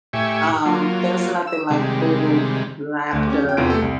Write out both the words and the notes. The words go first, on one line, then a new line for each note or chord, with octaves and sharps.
Um, there's nothing like food, laughter.
A2 G4 E5 G#5 C#6
F#3 A#3 F4
E6
C3 D#3 G3 G#3
D2 D3 A3
C#4 G4
F2 G5
E2 C3 B3 F4 G5 D7
A3 G4 A4
C2